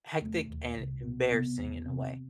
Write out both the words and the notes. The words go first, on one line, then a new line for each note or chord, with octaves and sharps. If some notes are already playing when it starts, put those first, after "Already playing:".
hectic and embarrassing in a way.
E1 A3
D#2
C2
B2
C3 B3
E2
C3